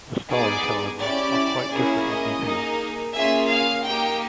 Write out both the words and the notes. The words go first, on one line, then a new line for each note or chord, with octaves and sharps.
The stars, however, are quite different in detail.
B3 D#4 G#4 D5
C#4 E4 G4 D5
A#3 C#4 E4 G#4
D#5
A#3 D#4 G#4
A#3 C#4 F4 G#4 E5
F5
A#3 D#4 G4 G5